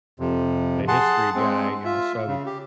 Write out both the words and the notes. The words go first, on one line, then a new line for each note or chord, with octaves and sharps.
a history guy, you know, so I would
F2 C3
G#4 F#5 A5 C6
G#3 C4
F4 E5
C#3
G4